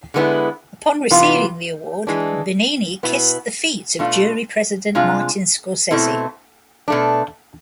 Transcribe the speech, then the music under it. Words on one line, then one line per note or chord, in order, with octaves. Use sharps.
Upon receiving the award, Benigni kissed the feet of jury president Martin Scorsese.
D3 G#3 B3 E4
C3 E3 B3 F4
E3 G#3 D4
B2 B3 E4
B2 A3 D4 F4
C3 G#3 D4 F4
B2 A3 C4 E4
B2 A3 D4